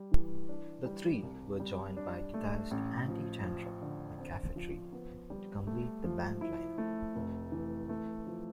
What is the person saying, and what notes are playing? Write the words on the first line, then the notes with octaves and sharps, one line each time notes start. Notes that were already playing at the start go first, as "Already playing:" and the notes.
The three were joined by guitarist Andy 'Tantrum' McCafferty to complete the band line-up.
Already playing: G3
E3
D4
G3
C2
G3
D4
A3
A1
F3
F3
D3
C4
F3
B3
G3
A3
F3
E4
A3
F1
E3
A3
F3